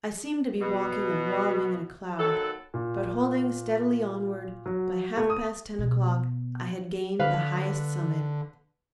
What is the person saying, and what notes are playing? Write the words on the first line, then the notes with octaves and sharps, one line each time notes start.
I seemed to be walking and wallowing in a cloud; but, holding steadily onward, by half-past ten o'clock I had gained the highest summit.
B2
D#2 F#3 A4
A#2
F#3
A3
D#6
B2
D3 B4 F5